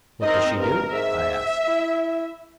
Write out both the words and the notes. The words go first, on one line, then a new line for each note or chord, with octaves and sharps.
"What does she do?" I asked.
C4 D#4 A#4 D#5
G2 A#4
G#2 E5
E4